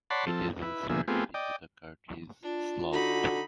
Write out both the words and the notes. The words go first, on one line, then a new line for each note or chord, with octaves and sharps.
It is inserted into the Cartridge Slot.
C#5 D5 F#5 A5 B5 C6
F3 C4 A4
E4 B4
B2 D3 F3 A#3 G#4 E5
A3 B3 C4 F4 G4 G#4
D5 D#5 G5
D4 F4
D3 D#4 F#4 B5